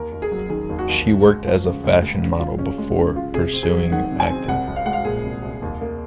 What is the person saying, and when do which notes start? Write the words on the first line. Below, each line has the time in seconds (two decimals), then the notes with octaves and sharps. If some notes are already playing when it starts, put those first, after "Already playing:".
She worked as a fashion model before pursuing acting.
Already playing: D#2 A#4
0.12 D#2
0.22 G#4
0.32 F#3
0.50 D#3 G#4
0.69 D#2
0.79 F#4
0.88 D#2
1.08 C#2
1.26 G#3
1.45 F3
1.64 C#3
1.84 C#2
2.02 G#3
2.21 C#3
2.39 F4
2.59 C#4
2.78 G#3
2.97 C#3
3.16 F4
3.34 C3 G#4
3.53 C4
3.63 G#4
3.73 F#3
3.92 D#3 F#5
4.10 C3
4.20 G#5
4.30 C4
4.48 C2 F#5
4.67 C2
4.76 F5
4.86 G#3 F#5
4.93 F5
5.05 A#2 G#4
5.24 C2
5.43 C2
5.62 D#2
5.81 A#3